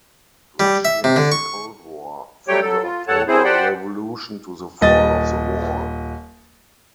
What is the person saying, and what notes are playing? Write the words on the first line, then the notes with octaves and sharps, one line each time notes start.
Russia's Cold War: From the October Revolution to the Fall of the Wall.
G3
E5
C3
D3
C#6
F#3 G3 A3 G4 C#5 G5
F#3 A4
F4
E2 A4 C#5 F#5 A5
C4 E4 G#4 C5
G4 C5 D5 F#5 G5
D#1 D#5 A6